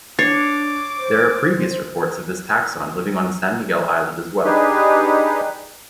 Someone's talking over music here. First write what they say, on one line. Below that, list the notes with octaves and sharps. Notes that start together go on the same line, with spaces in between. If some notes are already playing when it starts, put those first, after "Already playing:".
There are previous reports of this taxon living on San Miguel island as well.
D4 C#5 D6 A6 C7
C5
D4 D#4 G4 G#4 B4